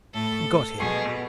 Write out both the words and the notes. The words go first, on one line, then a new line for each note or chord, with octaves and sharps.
Got him!
A2 A4
B2 G#4